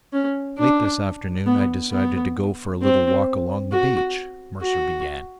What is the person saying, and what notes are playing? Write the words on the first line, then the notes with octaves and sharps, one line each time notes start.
"Late this afternoon I decided to go for a little walk along the beach," Mercer began.
C#4
D4
B3
B3
C4
F#4
F#4